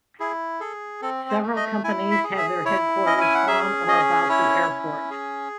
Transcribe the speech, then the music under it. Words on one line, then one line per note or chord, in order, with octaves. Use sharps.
Several companies have their headquarters on or about the airport.
E4 G#4
G#4 A4
C4 A4
C5
A3
D#5
E4 G#5
E5
G#4
E5
E4 C#5
C#4 D#5
G#5
F#5
G#4 E5
C#4 D#5
E4 C#5
C#4
G#4